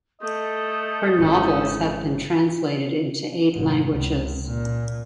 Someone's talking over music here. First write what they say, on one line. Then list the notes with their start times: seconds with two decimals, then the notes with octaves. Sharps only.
Her novels have been translated into eight languages.
0.21 A3 A4 D#5 G6
1.18 G#1 C#4 E4
3.52 F1 G#2
3.93 C#2
4.47 A#2